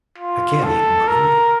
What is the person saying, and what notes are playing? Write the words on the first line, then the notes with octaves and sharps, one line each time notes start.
I can't eat money!
F4
A4
A#4